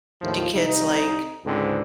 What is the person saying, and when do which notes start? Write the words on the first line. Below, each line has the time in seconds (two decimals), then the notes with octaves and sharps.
do kids, like,
0.21 D#2 A2 F3
0.55 C2 D#4
1.45 C#2 G#2 D3 C4